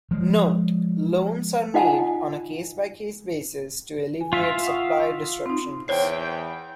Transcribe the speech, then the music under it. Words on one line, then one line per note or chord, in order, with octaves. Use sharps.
Note: Loans are made on a case-by-case basis to alleviate supply disruptions.
F3 G#3
D#4 F4 D#5 F#5 G#5 A5
G#5
F4 E5 F5
F#5 C#6 D#6
C4 D#4
E2 C5 C#5 G5 C7